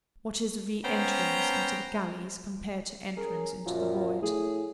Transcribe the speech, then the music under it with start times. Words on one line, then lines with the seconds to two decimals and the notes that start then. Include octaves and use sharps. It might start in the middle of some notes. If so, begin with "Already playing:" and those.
What is a re-entrance into the galleys, compared to entrance into the void?
0.83 B3 C#4 C5 G5 A#5
3.16 C#4 G#4 A#4
3.66 F#2 A#2 F3
4.21 A2 G#4